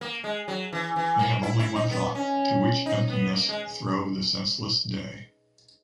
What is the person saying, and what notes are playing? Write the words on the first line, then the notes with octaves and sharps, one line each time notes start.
They have only one thought: To which emptiness throw the senseless day?
A#3
G#3
F#3
E3
E3
A#3
E4
E4
D#4
B3
C#4
D#4
B3
A#3
G#3